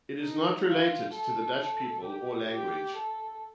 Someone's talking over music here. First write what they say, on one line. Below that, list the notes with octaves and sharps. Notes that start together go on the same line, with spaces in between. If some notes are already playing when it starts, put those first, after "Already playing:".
It is not related to the Dutch people or language.
D#4
F4
A4
A4
G4
G4
A4